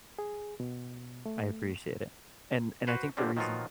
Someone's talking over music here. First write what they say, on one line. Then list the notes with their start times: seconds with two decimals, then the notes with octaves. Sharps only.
I appreciate it. And and I think the reason
0.19 G#4
0.60 B2
1.26 A3
2.87 F#4 B4 C5
3.17 G1 D3 G3 C4 C#4
3.37 D#3 F3 F#3 B3 F4 F#4